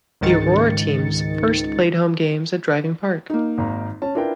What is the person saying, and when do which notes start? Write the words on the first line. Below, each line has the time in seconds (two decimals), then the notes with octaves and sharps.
The Aurora teams first played home games at Driving Park.
0.21 C#2 G#2 D#3 A6 C#7
3.30 A#3 D#4
3.58 G#1 A#5
4.02 C#4 A5
4.15 D4 E4 F4 A#4 B4 G5